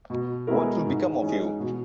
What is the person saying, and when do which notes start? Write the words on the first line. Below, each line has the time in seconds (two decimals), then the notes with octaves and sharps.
What will become of you?
0.10 B2
0.47 G#3 B3 E4 A#4
0.85 G#2
1.22 E3 G#3 C#4
1.60 B2